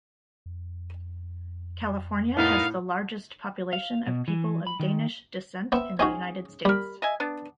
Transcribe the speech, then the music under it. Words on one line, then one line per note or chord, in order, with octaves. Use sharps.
California has the largest population of people of Danish descent in the United States.
F2
A2 B3 D#4 A#4 F5
F5
B2
E3
B5
D#3
B3 C4 E5
C4 C#4 D#4 F#4 G#4
G3 A#4 B5
D#5 E5 G#5
B3 D4